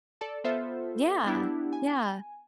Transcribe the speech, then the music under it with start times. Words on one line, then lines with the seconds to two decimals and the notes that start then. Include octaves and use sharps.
Yeah, yeah.
0.21 A4 D5 A5
0.44 B3 F4 A4 C5 E5
1.26 B3 D4 E4 G4
1.73 G#5